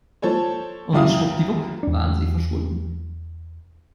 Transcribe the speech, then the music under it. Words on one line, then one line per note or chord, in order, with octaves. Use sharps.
Und schwuppdiwupp waren sie verschwunden.
F3 A4 C5 C#5
C#2 F#2 E4 F5 D#6
E2 D4